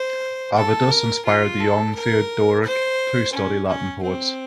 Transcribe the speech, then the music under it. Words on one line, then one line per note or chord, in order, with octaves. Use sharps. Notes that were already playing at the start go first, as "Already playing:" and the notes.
Avitus inspired the young Theodoric to study Latin poets.
Already playing: C5
A4
A#4
F4
A4
A#4
C5
C#4
C#4
C4